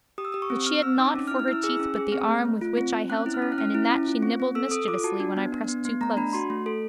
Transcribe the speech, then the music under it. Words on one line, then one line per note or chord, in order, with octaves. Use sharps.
But she had nought for her teeth but the arm with which I held her and in that she nibbled mischievously when I pressed too close.
G4 D#6
E6
G4 D#6
C#6
C4
C4 F6
C4 E6
D#4 D6
C#4
F6
E4
F6
E4 E6
G#4 E6
C#4
G#4
C4 F6
A3
A3
F4
C4
C4
C#4 F#6
E4
F6
C#4
F#6
C#4 F6
E4
C#4
F4
C4
C4
A4 E6
A4 D#6
F4 D6
F#4 A5
D4
B3
D4
B3
B3
A3 A#5
D4 B5
F#4 C6
A3
A4